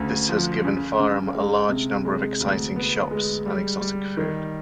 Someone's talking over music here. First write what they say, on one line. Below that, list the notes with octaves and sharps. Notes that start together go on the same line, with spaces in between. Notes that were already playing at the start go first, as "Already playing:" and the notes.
This has given Farum a large number of exciting shops and exotic food.
Already playing: D2 C#3
F3
C#3
C#3
G#3
C3
G#3
D2
B3
G#3
G3
G3
D#3